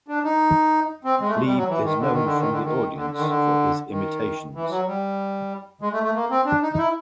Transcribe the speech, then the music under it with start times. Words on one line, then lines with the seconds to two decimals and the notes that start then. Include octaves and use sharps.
Leeb is known from the audience for his imitations.
0.08 D4
0.24 D#4
1.04 C4
1.20 G#3
1.28 A3
1.35 G#3
1.46 G3
1.57 F#3
1.68 E3
1.84 D#3
1.99 D3
2.12 D#3
2.25 D3
2.38 D#3
2.51 D3
2.63 D#3
2.95 D3
3.11 D3
3.19 D#3
3.28 D3
3.90 D#3
4.55 E3
4.70 F#3
4.86 G3
5.81 G#3
5.92 A3
6.03 A3
6.14 A#3
6.30 C4
6.45 D4
6.62 D#4
6.73 D#4
6.78 E4